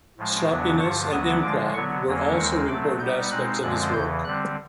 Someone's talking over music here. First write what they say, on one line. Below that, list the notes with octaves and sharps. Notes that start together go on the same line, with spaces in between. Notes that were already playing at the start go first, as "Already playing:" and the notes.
Sloppiness and improv were also important aspects of his work.
A2 F3 G#3
E2 C#3 F#3 B3 D4
G2 D3 F3 C#6
D2 D3 F#3 B3 D#6
D3 F3 G#3 D6
D3 F#3 B3 C#6
F2 D3 F#3 A#3 C#4
D#2 D#3 G#3 C4 C#6
B2 F#3 A3 C4 D6
B2 G3 B3 D#4 G6
B2 G#3 C4 D#4 F#6
F#2 D3 F3 G#3 C4 F#6
E2 C#3 E3 G6
D3 G3 C4 F#6